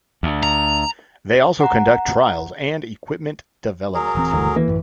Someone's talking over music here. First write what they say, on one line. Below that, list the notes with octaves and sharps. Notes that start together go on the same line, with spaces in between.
They also conduct trials and equipment development.
D2
A#5
F#5 A#5
F#3 G#4 A#4
D#1 E3 C4
F#1 D2 G2 E3
E3 A#3
A1 F#2